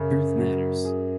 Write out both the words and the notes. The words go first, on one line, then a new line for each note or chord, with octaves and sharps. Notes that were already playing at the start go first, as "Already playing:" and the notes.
Truth matters.
Already playing: F#2 C#3
F#3
G#4